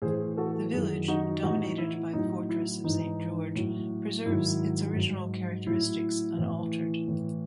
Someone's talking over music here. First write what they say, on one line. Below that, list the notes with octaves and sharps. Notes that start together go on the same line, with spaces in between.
The village, dominated by the Fortress of Saint George, preserves its original characteristics unaltered.
A2 E3 G#4 C5
F#4 A4
F#2 D#3 F#3 E4 G#4
D#4 F#4
A2 E3 D#4 F#4
E4
A2 F#3 D#4
E4
G#2 E3 D#4
A2 F#3
G#2 D#3 F#3 E4
G#2 F#3
A2 F#3 E4
A2 E3
A2 E3